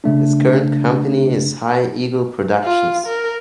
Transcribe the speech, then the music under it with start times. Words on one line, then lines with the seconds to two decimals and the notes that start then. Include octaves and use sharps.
His current company is High Eagle Productions.
0.04 C#3 A3 D4
2.63 F4
3.07 A#4